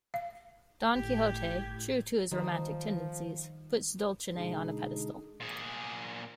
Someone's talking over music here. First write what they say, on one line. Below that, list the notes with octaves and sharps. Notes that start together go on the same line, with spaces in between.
Don Quixote, true to his romantic tendencies, puts Dulcinea on a pedestal.
F5
G1 A2 G4 G#6
D#3 F3 G3 D#4 C5
B2 D3 G#3 D4 D#4 G#4
A#2 G#4